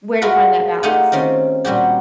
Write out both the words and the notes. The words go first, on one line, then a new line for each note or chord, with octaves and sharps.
where to find that balance.
F4 F#4 G#4 A#4 B4
A3 D#4 F4 G4 F#5 G#5
D#3 C4 C#4
A#2 G3 F#4 G4